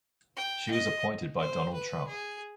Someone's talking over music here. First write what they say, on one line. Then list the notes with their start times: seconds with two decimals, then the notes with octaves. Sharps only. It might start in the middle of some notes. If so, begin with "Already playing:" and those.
She was appointed by Donald Trump.
0.37 G5
0.71 D#5
1.40 C5
1.74 B4
2.08 G#4